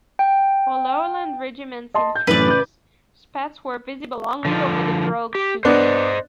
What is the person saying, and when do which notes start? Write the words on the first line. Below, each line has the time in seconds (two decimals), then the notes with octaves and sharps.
For Lowland regiments in trews, spats were visible only over the brogue shoes.
0.19 G5
1.94 D#5 A5 C6
2.15 G6
2.27 F#2 A2 E3 B4 D5
2.46 C#3 D6 G6
4.45 D3 F3
5.35 G4
5.65 B3 D4 C5 D#5